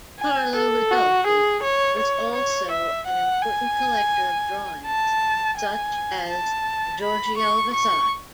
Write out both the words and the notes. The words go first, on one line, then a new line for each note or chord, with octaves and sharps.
Carlo Ridolfi was also an important collector of drawings, such as Giorgio Vasari.
G#5
A4
F#4
G#4
C#5
C#5
C#5
E5
F#5
G#5
A5
G#5
A5
B5
C#6
C#6